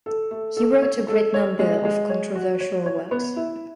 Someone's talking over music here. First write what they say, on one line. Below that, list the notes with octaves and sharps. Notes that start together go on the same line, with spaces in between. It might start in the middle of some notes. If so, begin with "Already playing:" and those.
He wrote a great number of controversial works.
A4
A3
A4
C#5
A4
C#5
G#3
G#3
C#5
F#4
C#5
C#5
B3
E4